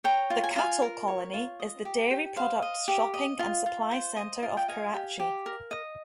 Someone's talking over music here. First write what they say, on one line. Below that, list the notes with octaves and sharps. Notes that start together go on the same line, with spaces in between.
The Cattle Colony is the dairy products shopping and supply centre of Karachi.
C#5 G5 A#5
F4
G#5
A#5
F4 F5 G#5
A#4
C#5
F4
D#5
G4
G4
C5 F5
D#5
G4
D#5
F4
F4
C5
D#5
F4
G5
D#5 F5 G#5
G4
G4
A#4
D#5